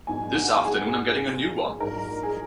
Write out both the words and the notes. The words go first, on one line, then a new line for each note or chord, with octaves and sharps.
This afternoon I'm getting a new one!
A#1 G#2 F#3 B3 G#5
F#5
G#4
A#1 G#2 F#3 A#4
G#4